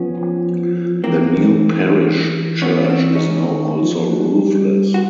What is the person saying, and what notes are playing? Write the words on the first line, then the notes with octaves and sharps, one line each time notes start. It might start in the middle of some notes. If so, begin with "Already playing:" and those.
The new parish church is now also roofless.
Already playing: F3 B3 C#4
E3 A#3 C4
B3 C#4
C#4
C4 D4
C#4 D#4
D#3
F3
G3
F#4